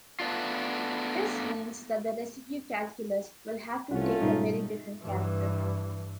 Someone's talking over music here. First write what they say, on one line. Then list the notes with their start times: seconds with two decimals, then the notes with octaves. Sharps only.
This means that the residue calculus will have to take a very different character.
0.20 A3 B3 D4 F4
3.91 C2 A3 C#4 F4 F#5
4.22 G#2 B2 G3 D#4
5.02 G2 E3